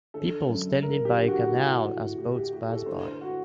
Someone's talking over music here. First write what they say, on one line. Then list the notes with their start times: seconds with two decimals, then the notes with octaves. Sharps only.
People standing by a canal as boats pass by.
0.14 D3 A4
0.49 F#2
0.82 F#2 A#4
1.05 G4
1.17 D3
1.28 F#4
1.51 A2
1.84 A2
2.18 A2 G4
2.35 G4
2.53 A2 G4
2.70 A4
2.86 D3 C5
3.04 C5
3.21 F#4